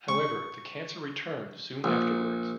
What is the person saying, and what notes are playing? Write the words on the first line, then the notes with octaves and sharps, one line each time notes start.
However, the cancer returned soon afterwards.
C#6
A#1